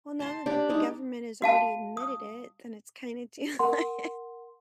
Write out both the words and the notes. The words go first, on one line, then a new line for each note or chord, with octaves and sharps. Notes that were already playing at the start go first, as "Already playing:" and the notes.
Well, now that the government has already admitted it, then it's kinda do, like
A5 C6
D4 G4 D5
G#3 D#4 G4
F#4 F5 A5
D#6
A#4 F#5 C6